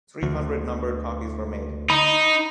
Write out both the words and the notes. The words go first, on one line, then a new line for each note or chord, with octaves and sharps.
Three hundred numbered copies were made.
D2
D#4 B5